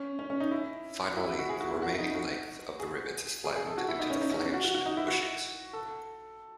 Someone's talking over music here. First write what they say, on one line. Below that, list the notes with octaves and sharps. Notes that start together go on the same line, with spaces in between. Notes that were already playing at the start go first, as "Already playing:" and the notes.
Finally the remaining length of the rivets is flattened into the flanged bushings.
Already playing: C#4
C#4
C#4
D#4
E4
E4
E4
F#4
G#4
F#4
E4
F#4
E4
D#4
F#4
G#4
G#4
G#4
A4
F#4
E4
D#4
C#4
D#4
C#4
F#4
F#4
F#4
D#4
E4
F#4
A4